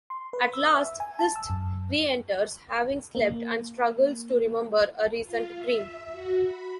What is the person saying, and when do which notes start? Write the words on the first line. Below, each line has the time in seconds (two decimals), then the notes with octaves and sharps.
At last, Hirst reenters, having slept, and struggles to remember a recent dream.
0.10 C6
0.33 B4
0.54 E6
0.74 E5
1.00 G#5
1.19 A5
1.36 E6
1.50 F#2
3.15 A#3
5.23 F4
5.56 E5
6.11 F#4
6.44 B5